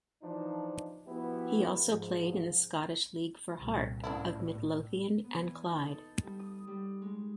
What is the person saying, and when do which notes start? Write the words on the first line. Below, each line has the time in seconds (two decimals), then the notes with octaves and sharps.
He also played in the Scottish League for Heart of Midlothian and Clyde.
0.22 E3 F3 D4 D#4
1.06 F3 B3 E4 F#4 G4
1.86 G#2 F3
3.58 C2 A#2
4.04 A2 C#4 D4 E4
5.24 B3
5.38 E3
5.69 D#4
5.82 A4
6.23 G3
6.39 D#6
6.67 G3
7.02 G#3